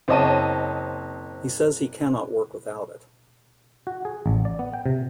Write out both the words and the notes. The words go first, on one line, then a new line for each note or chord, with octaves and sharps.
He says he cannot work without it.
F#1 C4 C#5 D#5 A5 D#7
F#4
G#4
A1
D5
B3
G5
C3